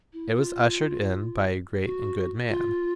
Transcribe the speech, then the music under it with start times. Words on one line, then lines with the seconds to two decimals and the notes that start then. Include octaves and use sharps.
It was ushered in by a great and good man.
0.13 E4
0.35 F4
1.85 F#4
2.49 F4